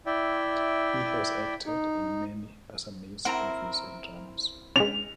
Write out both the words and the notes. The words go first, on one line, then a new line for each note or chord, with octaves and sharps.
He has acted in many Assamese movies and dramas.
E4 D5 E5 G5
D#4
C4 E4 A#4 F#5 A#5
G#3 C#4 F7